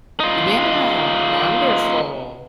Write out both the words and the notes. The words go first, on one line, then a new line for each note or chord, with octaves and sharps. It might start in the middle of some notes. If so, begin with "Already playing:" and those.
Yeah, wonderful.
D#4 F4